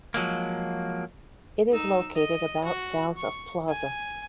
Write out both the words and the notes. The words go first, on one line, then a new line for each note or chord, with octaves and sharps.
It is located about south of Plaza.
F3 F#3 G#3 A#3
D#4 E6
D#5
F#4
C#6
G#5